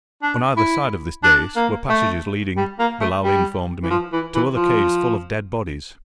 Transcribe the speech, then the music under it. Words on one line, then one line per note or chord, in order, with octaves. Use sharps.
On either side of this dais were passages leading, Billali informed me, to other caves full of dead bodies.
D4
E4
D4
A#3
A3
G3
A#3
A3
G3
E3
F3
E3
E3
F3